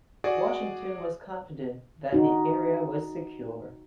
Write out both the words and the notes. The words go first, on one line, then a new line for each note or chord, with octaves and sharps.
Washington was confident that the area was secure.
F#4 G#4 D5
D#4 F#4